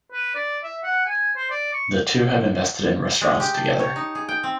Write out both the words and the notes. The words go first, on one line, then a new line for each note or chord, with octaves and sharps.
The two have invested in restaurants together.
B4
D5
E5
F#5
G#5
C5
D5
C#6
G#3
G4
A5
C#5
D#4
G#4
G5
C4